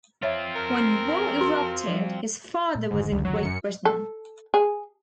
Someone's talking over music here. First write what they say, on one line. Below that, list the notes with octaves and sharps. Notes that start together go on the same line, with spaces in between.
When war erupted, his father was in Great Britain.
C4 F4 C#5 E5
A#4
F#4
F3 G3
A#2
F1 G#2 D3 D#3
C#2
F#3
F#2 C#7
A4
G#4